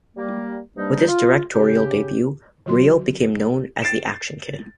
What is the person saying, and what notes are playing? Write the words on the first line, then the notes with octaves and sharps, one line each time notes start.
With his directorial debut, Ryoo became known as the Action Kid.
G3 A#3
G2 C3 G3 A#3 D4 D#4
F4
C#3 G4
D3 F#3 F#4 C6
A6 C7 D7 E7